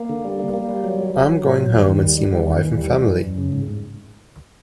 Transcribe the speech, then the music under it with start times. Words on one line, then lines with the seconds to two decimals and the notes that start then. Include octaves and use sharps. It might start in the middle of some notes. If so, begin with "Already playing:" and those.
I'm going home and see my wife and family.
Already playing: A#3
0.09 D3
0.25 G3
0.39 A#3
0.54 A#3
0.69 G3
0.84 F#3
0.99 F#3
1.14 F#3
1.29 F#3
1.44 A2
1.58 F#3
1.73 D#2
1.88 D#3
2.03 G3
2.18 G3
2.33 D#3
2.48 D#2
2.62 E3
2.78 G3
2.92 E3
3.08 F#2
3.22 F#2
3.38 C#3
3.52 G#2
3.67 G#2